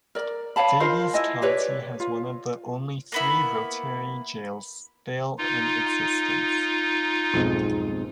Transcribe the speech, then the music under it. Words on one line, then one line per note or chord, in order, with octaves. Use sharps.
Daviess County has one of only three Rotary Jails still in existence.
A#4 D5
C#5 F5 A5 B5
F4 A#4 C5 D#5
E4 D#5 G#5
G4 B4 C#5 D5
F4
A#3 B3 E4
D#4 F4
B1 F2 G#2